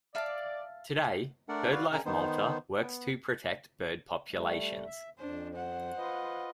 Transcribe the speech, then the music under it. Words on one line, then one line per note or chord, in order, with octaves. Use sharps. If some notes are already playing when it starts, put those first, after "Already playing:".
Today Birdlife Malta works to protect bird populations.
D5 E5 F5 A5
A3 D4 A#4 D5 F#5
F#4 B4 D5 F5
C#3 A#4 G#5 A#5 F6
D#3 B3 D#4 C5
B3
G3 A3
E5
F2 D4 C5
C5 F#5
F4 B4 D#5